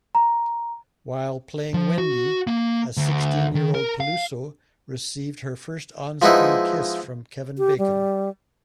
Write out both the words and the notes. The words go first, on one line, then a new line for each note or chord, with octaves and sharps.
While playing "Wendy", a sixteen-year-old Peluso received her first on-screen kiss from Kevin Bacon.
A#5
F3
F#4
A#3
D2
D#3
A#4
F5
F3 G#3 B3 D#4 E4
G4
G3